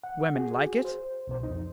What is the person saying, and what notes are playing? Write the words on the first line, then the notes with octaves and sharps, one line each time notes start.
"Women like it."
F#5
F#4 G#4
C5
C2 B2 C5
F2 D#4